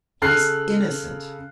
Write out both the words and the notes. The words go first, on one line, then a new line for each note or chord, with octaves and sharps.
"He is innocent."
C#3 A4 F6 F#6 C7